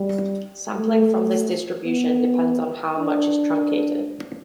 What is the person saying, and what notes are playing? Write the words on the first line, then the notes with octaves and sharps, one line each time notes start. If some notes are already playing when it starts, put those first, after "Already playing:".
Sampling from this distribution depends on how much is truncated.
Already playing: G3
A3
B3
D4